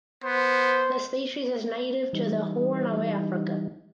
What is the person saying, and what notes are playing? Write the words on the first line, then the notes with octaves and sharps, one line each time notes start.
The species is native to the Horn of Africa.
B3 C5
E3 G3 D#4